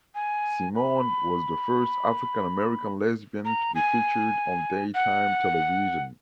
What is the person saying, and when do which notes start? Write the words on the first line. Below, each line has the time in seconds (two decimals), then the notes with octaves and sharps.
Simone was the first African-American lesbian to be featured on daytime television.
0.15 G#5
0.75 B5
3.45 A#5
3.75 G#5
4.95 F#5